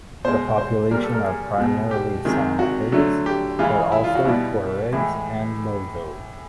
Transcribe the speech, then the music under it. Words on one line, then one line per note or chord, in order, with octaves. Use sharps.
The population are primarily Songhais but also Tuaregs and Bozos.
B2 G#3 C5
C5
A#2 G3 A#4
A4
A#4
G#4
B2 G#3
G4
C3 D#3 G#3
F#4
D3 F#3 A3
G4
C#3 E3 G#3 F4
E4
F4
F#4
B2 G3 E4
A2 E3 G#3